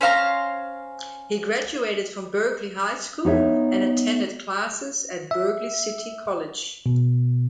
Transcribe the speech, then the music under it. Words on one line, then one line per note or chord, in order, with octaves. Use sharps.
He graduated from Berkeley High School and attended classes at Berkeley City College.
C#4 C5 F5 A#5
B3 D#4 C#5 E5
E5
B2